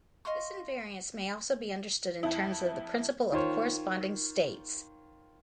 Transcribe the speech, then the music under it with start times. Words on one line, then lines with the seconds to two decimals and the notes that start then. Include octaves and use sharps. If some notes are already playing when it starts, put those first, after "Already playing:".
This invariance may also be understood in terms of the principle of corresponding states.
0.25 D#5 F5 C6 C#6
2.23 F2 E4
3.32 D#3 F4 C5 C#5